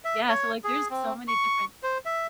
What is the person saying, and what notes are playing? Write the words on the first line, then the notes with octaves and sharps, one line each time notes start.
Yeah so, like, there's so many different
E5
C#5
G#4
C4
C#6
C5
E5